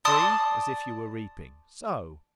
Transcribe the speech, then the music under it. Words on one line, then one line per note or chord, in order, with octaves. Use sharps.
Three, as if you were reaping--so.
D5 A5 C6 D#6